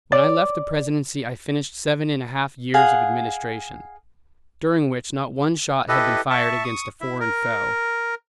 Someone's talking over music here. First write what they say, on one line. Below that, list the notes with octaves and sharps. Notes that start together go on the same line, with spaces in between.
When I left the Presidency I finished seven and a half years of administration, during which not one shot had been fired against a foreign foe.
C#5 D5
G#4 F5 F#5
E4 G4 A4 B4 D#5
E5 A5 C#6
C#6 D#6
E4 E5
A#4